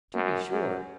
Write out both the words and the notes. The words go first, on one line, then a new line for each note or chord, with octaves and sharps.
To be sure.
F#2
F#2